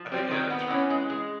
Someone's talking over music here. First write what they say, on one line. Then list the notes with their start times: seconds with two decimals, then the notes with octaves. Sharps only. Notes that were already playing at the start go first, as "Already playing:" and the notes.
I think yeah, that's right.
Already playing: F3
0.11 G3 C4
0.31 D#3
0.50 B3
0.70 E3 C#4
0.90 G#3
1.10 G#3